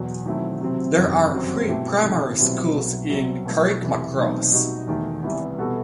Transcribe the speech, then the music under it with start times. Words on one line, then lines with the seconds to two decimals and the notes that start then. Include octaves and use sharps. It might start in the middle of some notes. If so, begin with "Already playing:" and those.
There are three primary schools in Carrickmacross.
Already playing: E2 B2 F#3
0.26 D#3 F#3 A3 C4 E4
0.61 C3 F#3 C4
0.97 F#1 E2 C3 D#3
1.32 G1 F#2 F#3 C4
1.68 B2 A3 E4 G4
2.03 C3 D#3 A3
2.38 B1 B2 G3 C4 E4
2.74 B1 B2 F#3
3.09 C2 B2 F#3 C4
3.45 B1 B2 F#3 A3 E4
3.81 E2 C3 E3
4.16 B1 B2 A3 C4 D#4
4.51 B2 G3 D#4 F#4
4.87 E2 D#3 A3
5.22 C2 C3 E3 B3
5.58 B2 G3 B3 F#4 A4